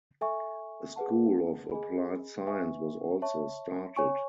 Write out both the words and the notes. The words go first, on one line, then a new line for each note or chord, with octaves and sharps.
A school of applied science was also started.
A4 E5 G#5 C#6
G#4 B4 F#5 A5
G#4 D#5 G#5 B5
B4 E5 G#5 C#6
C#5 E5 A5 C#6
C#5 G#5 C#6